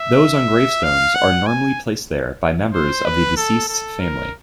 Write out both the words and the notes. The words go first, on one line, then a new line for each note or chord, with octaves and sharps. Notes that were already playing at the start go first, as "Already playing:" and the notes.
Those on gravestones are normally placed there by members of the deceased's family.
Already playing: E5
F5
F#5
G#5
C5
B4
A4
A4
A#4